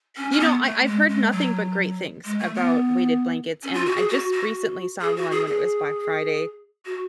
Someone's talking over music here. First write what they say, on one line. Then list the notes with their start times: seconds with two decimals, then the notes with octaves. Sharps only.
You know, I I've heard nothing but great things about weighted blankets, and I just recently saw one when it was Black Friday,
0.17 C#4
0.32 C#4
0.40 B3
0.63 A3
0.86 G#3
1.09 G#3
1.32 F#3
2.25 G#3
2.39 A3
2.55 B3
3.63 C#4
3.74 F4
3.86 F#4
3.97 G#4
4.09 F#4
4.32 F#4
5.01 G#4
5.17 F#4
5.32 G#4
5.47 G#4
6.86 F#4